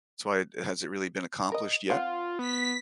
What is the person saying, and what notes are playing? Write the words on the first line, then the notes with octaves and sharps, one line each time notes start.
it's why has it really been accomplished yet?
A#4 D#5
C4 F4 F#5
B3 B6